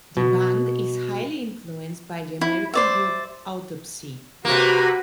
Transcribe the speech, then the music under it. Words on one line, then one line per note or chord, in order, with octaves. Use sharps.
The band is highly influenced by the American group Autopsy.
B2
E4
C5 D5 E5
C3 A#3 F#4 B4